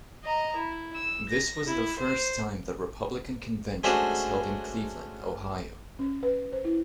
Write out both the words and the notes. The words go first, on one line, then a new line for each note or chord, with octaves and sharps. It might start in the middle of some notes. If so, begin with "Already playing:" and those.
This was the first time the Republican Convention was held in Cleveland, Ohio.
D#5 A#5
E4
E6
A#6
E4
C5
G#3 A3 C#4 D4 F#4 C5
C#4
B4
C5
E4